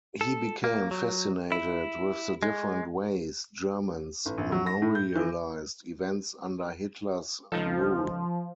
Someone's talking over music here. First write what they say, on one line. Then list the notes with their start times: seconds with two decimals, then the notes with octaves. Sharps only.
He became fascinated with the different ways Germans memorialized events under Hitler's rule.
0.21 A4
0.64 A#3
0.91 F#3
1.52 E4
2.43 G#3
4.26 A1
4.38 A#1
4.52 F#3
4.66 A#6
4.82 A2
4.95 G6
5.15 E3
7.52 C#2 F3 D#4 A4